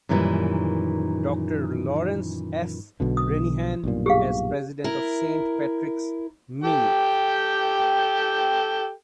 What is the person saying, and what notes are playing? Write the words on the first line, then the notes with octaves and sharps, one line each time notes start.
Doctor Laurence F. Renehan as President of Saint Patrick's, Maynooth.
F#2 A#2 D#3 E3 G3
B1 B2 D3
D#6
B1 G2 A#2
G4 G#4 F5
E4 A#4
G4 A4 G5